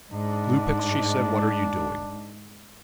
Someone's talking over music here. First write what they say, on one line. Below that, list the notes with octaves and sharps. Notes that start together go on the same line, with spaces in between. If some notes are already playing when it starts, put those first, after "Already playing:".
"Lupex," she said, "what are you doing?"
G#2 D4